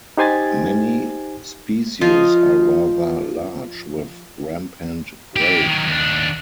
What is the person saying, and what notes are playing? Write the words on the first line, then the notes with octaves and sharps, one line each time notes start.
Many species are rather large with rampant growth.
D#4 G4 C5 G#5 G#6 A6
F3 F4 D#5
E3 G4
D#3 F#3
D#2 D4